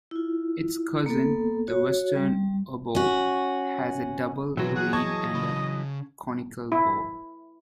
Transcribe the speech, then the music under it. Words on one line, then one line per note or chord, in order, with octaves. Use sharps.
Its cousin, the Western oboe, has a double reed and a conical bore.
E4 F4
A#3 B3 A4
F#4 C#5
G3
C#4 F#4
B2 E3 F#3 C4 F#4 G#4 B4
G#4 F#5
D#5 A5 C#6 G#6
C#3 B5
E4